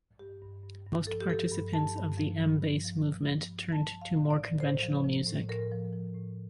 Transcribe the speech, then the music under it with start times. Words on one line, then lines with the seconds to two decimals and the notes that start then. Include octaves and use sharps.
Most participants of the M-Base movement turned to more conventional music.
0.19 G2 G4
0.42 G2
0.64 G2
0.86 G2
1.07 F3 A4
1.21 G4
1.29 F3 A4
1.52 G2
1.73 F3 A5
1.96 G2
2.17 F3
2.40 G2
2.61 G2
2.85 F3
3.06 G2
3.28 F3
3.50 G2
3.72 F3 A5
3.94 F3
4.01 F5
4.16 A2
4.30 D5
4.39 F3
4.60 A2 C5
4.82 F3
5.04 F3
5.27 A2
5.49 A2 A#4
5.71 F3
5.93 F3
6.15 A2